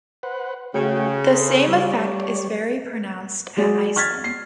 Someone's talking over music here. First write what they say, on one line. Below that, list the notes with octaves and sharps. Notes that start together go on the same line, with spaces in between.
The same effect is very pronounced at Iceland.
B4 C5 F#5
C#3 A3 F#4 G5
A4 C6
G3 C#5 D5
F#3 G#3 G#4 D5
C#6 F6 G#6 A6 B6
C7